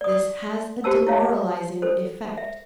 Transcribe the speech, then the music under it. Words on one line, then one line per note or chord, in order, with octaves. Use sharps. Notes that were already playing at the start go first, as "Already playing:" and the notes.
This has a demoralizing effect.
D5 D#6
F#4 G4 C5 A5 E6
E4 F4 C#5 F5
A4 C5
E5